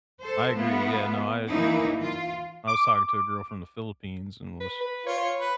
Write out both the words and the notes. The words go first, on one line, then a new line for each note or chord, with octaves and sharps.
I agree, yeah, no, I, um I was talking to a girl from the Philippines and I was
A4 C5
A3 B3 F4
E3 A#3 D#4 E4
F4
D6
B4
B4
F4 C#5
C#5
B4